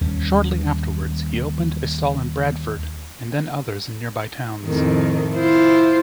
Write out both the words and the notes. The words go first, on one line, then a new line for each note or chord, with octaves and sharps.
Shortly afterwards he opened a stall in Bradford and then others in nearby towns.
D#2 G3 C#4
F2 A2 D#3
E4 F4 C5